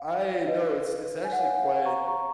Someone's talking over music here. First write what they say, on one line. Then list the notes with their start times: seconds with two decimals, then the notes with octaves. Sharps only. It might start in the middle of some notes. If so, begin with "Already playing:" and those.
I no, it's it's actually quite
Already playing: F5
0.37 C#5
0.47 B4 D#5
1.25 G#5
1.32 F#5
1.39 C#5 F5
1.63 C#5 F5
1.86 A#5 C#6
2.08 A#5 C#6